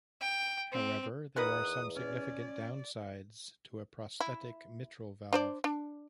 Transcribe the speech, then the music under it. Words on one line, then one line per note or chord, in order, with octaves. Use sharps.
However, there are some significant downsides to a prosthetic mitral valve.
G5
C4
E2 D#3 A#4 B4 F#5 D#6
C#4 D5
E4
D4 C5 D5
D4